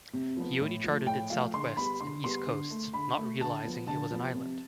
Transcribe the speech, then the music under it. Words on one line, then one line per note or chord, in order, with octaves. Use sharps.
He only charted its southwest and east coasts, not realizing it was an island.
C3
F3 B3
A2
F3 A3
A2 G5
F3 A3 F5
D3 C6
G3 B3 B5
D3 C6
G3 B3 C6
D3
A3
D3 B5
A3
D3 A5
F3 B3
D3 A5
F3 B3
C3